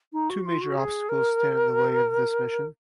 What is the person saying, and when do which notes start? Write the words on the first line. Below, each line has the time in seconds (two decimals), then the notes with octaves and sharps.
Two major obstacles stand in the way of this mission.
0.13 D#4
0.30 F#4
0.46 F4
0.61 F#4
0.77 G#4
1.09 A#4